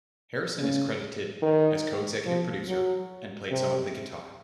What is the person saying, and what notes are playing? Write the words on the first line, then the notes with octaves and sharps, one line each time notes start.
Harrison is credited as co-executive producer, and played some of the guitar.
C#3
D#3
F3
F#3
C3